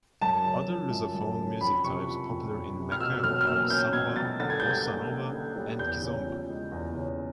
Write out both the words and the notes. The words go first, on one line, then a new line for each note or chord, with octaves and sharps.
Other Lusophone music types popular in Macao are "samba", "bossa nova", and "kizomba".
F#2 A5
C#3
F3
F#2
F#2
C#3
F2 B5
C3 C#6
F3
F2
F2
C3
F6
B2 E6
F#3 F6
F6
A#3 E6
C#4 G6
B2 G#6
F#3 A6
D3 A6
G#6
G3 G6
G#6
A#3
C#4
D3
G3
E2 G6
C#3
F3
G#3
E2
C#3